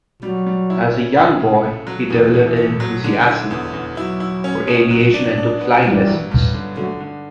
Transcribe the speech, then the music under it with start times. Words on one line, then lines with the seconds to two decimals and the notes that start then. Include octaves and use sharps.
As a young boy he developed an enthusiasm for aviation and took flying lessons.
0.23 F#3 G3
0.47 G3
0.70 E4
0.94 C#4
1.16 C#3
1.40 C#3
1.64 A3
1.87 F#3
2.10 E2 E3
2.34 A3
2.56 A3
2.80 F#3
3.04 D3
3.27 E4
3.51 E2
3.73 E2
3.97 F#3 E4
4.20 E4
4.44 C#4
4.67 B2
4.91 F#3
5.14 D4
5.38 D4
5.61 B3
5.84 G2 E3 G3
6.07 F#3
6.31 G2
6.54 D3
6.77 D3 F#3 A3
7.00 D3